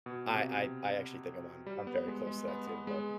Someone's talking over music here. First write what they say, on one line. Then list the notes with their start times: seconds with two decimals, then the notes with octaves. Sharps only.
I I I actually think I'm on I'm very close to that too, but
0.06 B2
0.32 C3
1.66 G3
1.87 B3
2.08 G#3
2.27 G#3
2.48 B3
2.67 B3
2.87 G#3